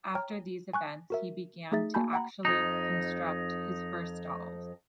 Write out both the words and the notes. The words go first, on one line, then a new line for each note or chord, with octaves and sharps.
After these events, he began to actually construct his first dolls.
C#5 G5 A#5 F6
G#5 C#6 F#6
F#4 A#4 E5
A3 D#4 G#4 E5 A6
A#3 F#4 G#5 A5 B5 G6
F#5 G5 A#5 B5
F2 D#4